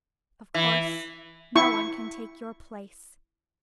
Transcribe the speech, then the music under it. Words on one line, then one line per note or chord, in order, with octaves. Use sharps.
Of course, no one can take your place....
E3
E4 C#6